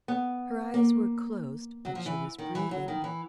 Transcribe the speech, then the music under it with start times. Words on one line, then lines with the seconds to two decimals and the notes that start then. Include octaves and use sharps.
Her eyes were closed, but she was breathing.
0.08 B3
0.74 A#3
1.85 F#3
1.95 F3
2.06 E3
2.38 D#3
2.55 E3
2.71 F#3
2.88 D#3
3.04 E3